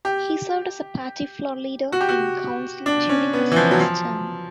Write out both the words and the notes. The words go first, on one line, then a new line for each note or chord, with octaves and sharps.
He served as a Party Floor Leader in council during his last term.
G4
F#4
G4
F#4
D4
C#4
B3
E3
F3
F#3
F3